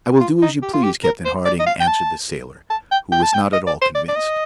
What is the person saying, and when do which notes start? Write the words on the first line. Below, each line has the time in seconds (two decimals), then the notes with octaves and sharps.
"I will do as you please, Captain Harding," answered the sailor, who was not at all convinced.
0.20 F4
0.42 D#4
0.62 G4
0.73 F4
0.84 G4
1.04 A#4
1.25 C5
1.45 D5
1.60 D#5
1.66 F5
1.80 G5
1.87 A5
2.70 A5
2.91 G5
3.12 G5
3.23 A5
3.34 G5
3.53 D#5
3.67 D5
3.82 C5
3.95 D5
4.08 D5
4.16 D#5